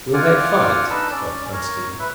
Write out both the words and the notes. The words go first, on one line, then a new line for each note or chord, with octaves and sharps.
"Will they fight?" scoffed Bud Stevens.
F4 D5 F#5 G#5 D6 F6
D4 D#4 A4 B4 E6
C#4 D5
A#4 C#5
B4 E5